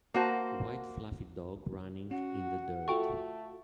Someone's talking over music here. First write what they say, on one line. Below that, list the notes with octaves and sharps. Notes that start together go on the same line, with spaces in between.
White fluffy dog running in the dirt.
A#3 F#4 C5
C#4 F#4 F#5
A3 F4 F#4 A4 G5 C#6